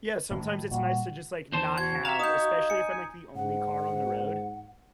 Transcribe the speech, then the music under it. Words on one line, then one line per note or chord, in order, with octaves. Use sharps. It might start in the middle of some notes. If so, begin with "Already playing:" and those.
Yeah, sometimes it's nice to just, like, not have especially if I'm, like, the only car on the road.
A2 D#3
A#2 G3 F#4
E2 C5 A5
F#4 G#6
E5 F5 A#5
D#4 D#6 G6
G#5 C#7
G#2 F#5